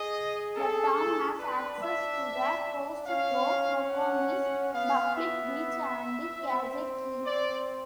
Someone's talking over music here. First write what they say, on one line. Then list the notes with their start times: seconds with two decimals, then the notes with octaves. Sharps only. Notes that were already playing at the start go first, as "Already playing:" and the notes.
The town has access to the coast through Nokomis Public Beach and Casey Key.
Already playing: G#4 D#5
0.56 A4
1.39 D4 B4
1.81 E5
3.06 C#4 F5
3.90 F#5
4.74 B3 F5
5.16 E5
6.41 C4
7.24 D5